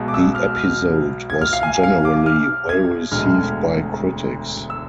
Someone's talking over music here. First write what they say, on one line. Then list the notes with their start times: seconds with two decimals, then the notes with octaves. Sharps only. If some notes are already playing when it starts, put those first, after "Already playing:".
The episode was generally well received by critics.
Already playing: B1 B2 G#3
0.08 D6
0.14 E6
0.35 F6
0.56 F6
1.30 G#6
1.41 F6
1.53 F5
1.63 G#5
1.83 F5
2.05 D6
2.26 F6
2.69 G#6
3.11 E1 D2 D3 G#3 F6
4.70 E6